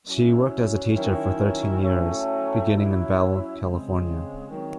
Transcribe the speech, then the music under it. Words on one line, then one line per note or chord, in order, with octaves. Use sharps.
She worked as a teacher for thirteen years, beginning in Bell, California.
F#3 C#4 E4
D#3 F#3 C#4 E4
A2 F#3 A3 C#4
F#3 C#4 E4
C#3 G#3 C4
D#3 F#3 C4